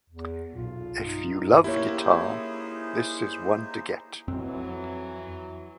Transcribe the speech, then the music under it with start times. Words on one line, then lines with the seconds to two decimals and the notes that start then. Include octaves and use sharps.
If you love guitar, this is one to get!
0.10 E2
0.54 B1 F4
1.00 G2 D#4
1.64 A#3 D#4 E4 G4 G#4 C5 C#5
4.28 F2 E3 F#3 C4